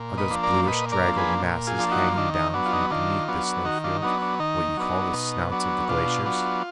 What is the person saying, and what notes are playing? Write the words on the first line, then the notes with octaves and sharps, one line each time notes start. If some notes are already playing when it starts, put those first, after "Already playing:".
"Are those bluish draggled masses hanging down from beneath the snow-fields what you call the snouts of the glaciers?"
Already playing: A#2
B4 D#5
F3 A#3 D4
A#4 D5
A#2 B4 D#5
A#4 D5
F3 A#3 D4
G#4 B4
A#2
F4 G#4
F3 A#3 D4
D#4 F#4
D#3 D4 F4
D#4
F#3 B3 D4
F4
D#4
D#3 D4 F4
F#3 B3 D4
D#3 D#4 F#4
D4 F4
F#3 B3 D4 D#4
D4
D#3 D#4
F#3 B3 D4
B2
F#3 B3 D4
B2 D4 F4
F#3 B3 D4